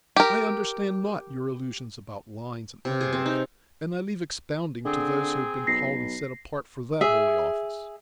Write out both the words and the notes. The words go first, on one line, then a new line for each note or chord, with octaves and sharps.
I understand not your allusions about lines and angles; and I leave expounding to those who have been called and set apart for that holy office.
G4 A#4
C3
G#4
C4
D#4
D3 C4 G#4
B1 A#6 C7
G#4 E5